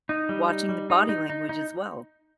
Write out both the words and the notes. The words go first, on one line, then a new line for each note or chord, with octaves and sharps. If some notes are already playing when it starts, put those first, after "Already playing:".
watching the body language as well.
D#4
G3
D#4
G3
D#4
D#4
D#4
D#4